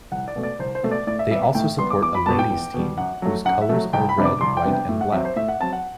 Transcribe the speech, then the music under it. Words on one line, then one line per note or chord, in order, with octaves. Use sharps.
They also support a ladies' team, whose colours are red, white and black.
C2 F#5
D5
B2 A3
D5
C2 C5
C5
B2 A3
D5
A2 D5
E5
G3 B3 E5
A2 G5
G3 B3 C6
D6
E2 D6
B5
B2 G3 A5
G5
E2
B2 G3
F#2 F#5
F#3 A3
F#2 F#5
E5
F#3 A3
C2 G5
B5
C3 G3 B3 D4
D6
C2 C6
G5
C3 G3 B3 D4
G5
A2
F#5
F#3 C4 E5
C5
A2 E5
F#5
F#3 C4 A5
F#5